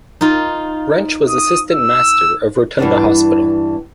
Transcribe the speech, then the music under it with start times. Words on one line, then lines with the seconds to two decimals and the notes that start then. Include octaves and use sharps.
Wrench was Assistant Master of Rotunda Hospital.
0.21 D#4 F4
1.29 D#6
1.71 E6
2.79 G2 D3 E3 G3 B3 D4